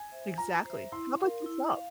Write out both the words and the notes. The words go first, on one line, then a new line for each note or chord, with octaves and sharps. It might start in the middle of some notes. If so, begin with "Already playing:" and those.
Exactly. How about yourself?
Already playing: G#5
C5 E5
F4 A#5
C5 E5
E4 C6
A#4 F5
E4
F5